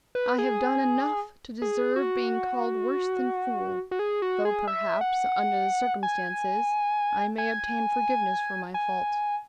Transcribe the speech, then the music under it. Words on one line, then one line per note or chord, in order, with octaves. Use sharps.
I have done enough to deserve being called worse than fool; though perhaps, under the circumstances, I may obtain forgiveness for my fault.
B4
G#4
G#4
F#4
F#4
G#4
F#4
G#4
E5
F#5
G#5
G#5
G#5